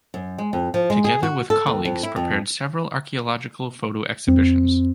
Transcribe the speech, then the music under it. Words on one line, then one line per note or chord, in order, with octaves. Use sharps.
Together with colleagues prepared several archaeological photo exhibitions.
F#2
G#3
F2
F3
G#3
G#4
F#4
A4
D#2
F2
E4
F2
F2 C4